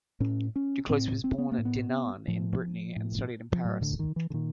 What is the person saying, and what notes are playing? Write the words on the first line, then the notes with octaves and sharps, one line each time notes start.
Duclos was born at Dinan in Brittany and studied at Paris.
A2 C#4
C#4
A2 C4
C4
B3
A#3
A2
B3
A2 F3
A2
F3
A2 F#3
D3
D#3
E3
D3
A#2 D#3